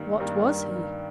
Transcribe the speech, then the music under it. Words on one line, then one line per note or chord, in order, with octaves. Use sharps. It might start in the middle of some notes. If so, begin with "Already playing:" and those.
What was he?
Already playing: G2 D#3 A#3
G2 D#3 A#3